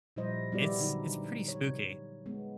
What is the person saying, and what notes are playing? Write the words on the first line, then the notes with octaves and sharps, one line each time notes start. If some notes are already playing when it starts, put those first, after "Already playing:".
It's it's pretty spooky.
A#2 F3 G3 E4 C5 D#5
G3 B3 E4 F#4 G4 D5
D3 F#3 D#4
C#5
G#3 B3